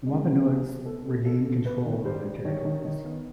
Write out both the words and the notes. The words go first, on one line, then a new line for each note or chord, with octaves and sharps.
The Wampanoags regained control over their territories.
G#3
B3
B2 G#4
B2
B3 A4
B2
B2 A4
B2
B3 B4
D#3
G3 C5
G3
D#3 C#5
D#3
D#3
B3